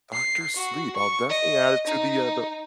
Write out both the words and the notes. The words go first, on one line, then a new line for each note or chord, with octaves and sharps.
Doctor Sleep, I'll definitely add it to the, uh, the
C7
F#4
C#6
D#5
D#4